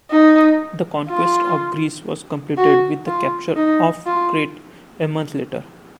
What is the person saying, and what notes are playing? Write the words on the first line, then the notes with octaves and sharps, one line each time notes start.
The conquest of Greece was completed with the capture of Crete a month later.
D#4
F4
F#4
F4
D#4
F4